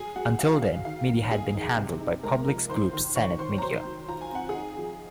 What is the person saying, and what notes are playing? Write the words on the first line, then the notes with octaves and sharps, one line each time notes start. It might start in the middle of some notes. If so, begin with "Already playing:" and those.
Until then, media had been handled by Publics Groupe's Zenith Media.
Already playing: F#3 G#4 G#5
F#3 F#4 F#5
F#3 F5
F#3 F5
D#3 F5
A#3
A#3 G#4 G#5
D#4
C3
D#4
G#3 A#4 A#5
F3
D#3 C5 C6
D#3
D#3 C#5 C#6
D#3 C5 C6
A#5
F#3 C5 C6
F#3
F4 A#5
G#5
C4 F#5
G#4 G#5
D#4
F3